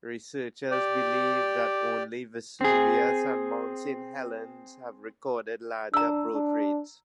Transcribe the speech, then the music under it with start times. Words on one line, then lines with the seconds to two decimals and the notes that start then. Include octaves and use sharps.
Researchers believe that only Vesuvius and Mount Saint Helens have recorded larger growth rates.
0.71 G4 D5
2.61 C4 G#4
5.94 D4 A#5 E6
6.34 D4